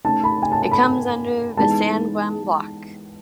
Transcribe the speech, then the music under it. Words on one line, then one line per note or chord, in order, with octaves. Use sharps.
It comes under the Sanguem block.
D#3 A3 C#4 A5
B5
G#5
A5
A5
B5
E3 G#3 B3 D#4 A5